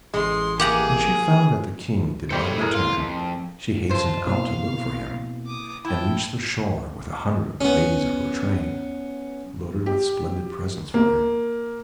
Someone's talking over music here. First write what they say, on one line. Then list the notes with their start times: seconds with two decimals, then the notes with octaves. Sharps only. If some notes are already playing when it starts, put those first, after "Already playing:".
When she found that the King did not return, she hastened out to look for him, and reached the shore, with a hundred of the ladies of her train, loaded with splendid presents for him.
0.14 A1 G#3 C6
0.60 A#3 G4 G#4 F#5 A#5
2.31 G3 G4 A4 C5 G5
2.59 A2 G#4 A#4
2.74 F4
2.97 F2
3.90 F#2 C3 F4 C5 A5
4.27 B2 A#3 C4 E4 F5
5.46 D6 D#6
5.85 E4 G5 A5 B5
7.61 B3 C#4
9.86 G4
10.94 A#3